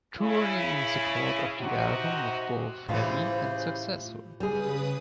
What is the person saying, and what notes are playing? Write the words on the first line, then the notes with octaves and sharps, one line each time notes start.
Touring in support of the album was both heavy and successful.
C#3 E4
C3 D#4 F#4
A2 C#3 E3 G3 F4 C5 E5 F5
C#3 G3 G#4 B4 D#6